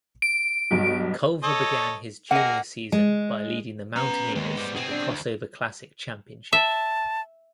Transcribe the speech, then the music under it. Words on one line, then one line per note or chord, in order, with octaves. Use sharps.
Culver began his junior season by leading the Mountaineers to the Crossover Classic Championship.
D7
B1 G2
A4 C#5 D#5
A#3 G#4 D#5 F#5
G#3
B3 C#4 A#5
D#2 G#3
G#2 G3
B2 C4 G#4
D4
D2
E5 A5